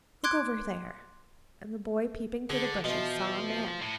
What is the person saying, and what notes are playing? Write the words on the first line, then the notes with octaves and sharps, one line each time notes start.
Look over there!' And the boy, peeping through the bushes, saw a man.
C6 D6 F#6 G#6 D7
D3 G#4
B2 E3 F3
A2